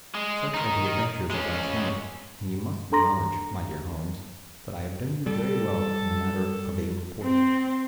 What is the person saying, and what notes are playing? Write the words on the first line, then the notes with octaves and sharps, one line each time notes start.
Such are the adventures of last night, and you must acknowledge, my dear Holmes, that I have done you very well in the matter of a report.
G#3
D#4 A#4
G#3 C#4
D4 A4 A#5 C6 A#6
G3 A4
C4